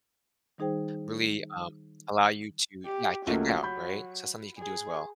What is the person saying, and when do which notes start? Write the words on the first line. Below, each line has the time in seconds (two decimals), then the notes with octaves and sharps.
really, um, allow you to yeah, check out, right? So, that's something you can do as well.
0.58 D#3 G3 D#4 G#4 C5 G5
2.86 G4
3.27 C#2 F#3 A3 A#3
3.63 B5 G6
4.59 G#4